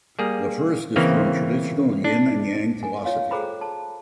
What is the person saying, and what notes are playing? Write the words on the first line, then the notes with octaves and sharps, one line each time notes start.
The first is from traditional Yin and Yang philosophy.
G3 A#3 G#4
C#3 E3 A#3 C4 F5
D4
G#5
F4 C#5 F5 C6
G#4 A4 C5 G5 A#5 B5
A5